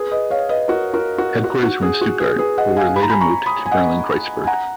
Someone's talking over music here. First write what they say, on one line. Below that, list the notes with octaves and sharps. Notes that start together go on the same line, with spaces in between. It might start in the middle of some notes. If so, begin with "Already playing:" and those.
Headquarters were in Stuttgart, but were later moved to Berlin-Kreuzberg.
Already playing: G#4 B4
B4 D#5
C#5 F5
B4 D#5
F#4 A#4
F#4 A#4
F#4
F#4
F#4
G#4
F#4
G#4
G#4 B4
D#5 F#5
F5 G#5
B5
A#5
G#5 B5
A#5 C#6
B5 D#6
G#5
D#5 F#5
G#5
F#5 A#5